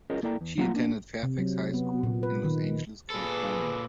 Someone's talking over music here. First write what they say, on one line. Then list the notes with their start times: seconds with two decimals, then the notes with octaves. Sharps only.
She attended Fairfax High School in Los Angeles, California.
0.10 C#4 F4 G#4 A#4 C#5 D#5
0.23 A#3 E4 A4 D5 G5 A#5
0.41 E2
0.58 F#3 A#3 F4 F#5 G#5 A#5
0.74 A#3 D4
1.23 C3
1.38 F#3
1.74 B3
2.03 A#2
2.23 B4
2.44 D#3
3.10 A#2 G#4 A4 B4